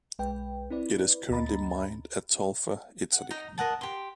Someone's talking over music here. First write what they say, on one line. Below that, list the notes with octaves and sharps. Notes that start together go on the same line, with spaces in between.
It is currently mined at Tolfa, Italy.
B1 G#3 B4 G5
C4 E4 B4 D5
D2 A#3 D#5 A#5 B5 A6
F#5
D#4 A#5
A#4 D#5 F#5 A5
G4 C6